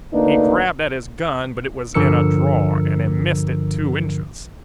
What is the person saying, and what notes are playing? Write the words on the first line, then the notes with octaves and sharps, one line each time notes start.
He grabbed at his gun, but it was in a drawer, and he missed it two inches.
D2 A#3 D4 D#4 B4
G2 D3 F3 A#4 E6 C#7